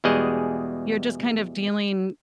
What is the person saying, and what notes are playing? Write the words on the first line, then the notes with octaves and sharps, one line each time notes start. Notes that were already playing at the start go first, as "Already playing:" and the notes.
you're just kind of dealing
E2 B2 G3 G#3 G#4 D#5